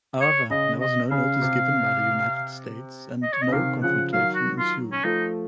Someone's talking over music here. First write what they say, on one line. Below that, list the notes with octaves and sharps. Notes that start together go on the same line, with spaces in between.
However, there was no notice given by the United States and no confrontation ensued.
C#5
C#3 D#5
D#5
C#3 F5
C3
D#5
C#5
D#5
C#3
C3 D#3 F5
C#3 F3 F#5
D#3 F#3 F5
F#4
F4
C#4
F3 A3 D#4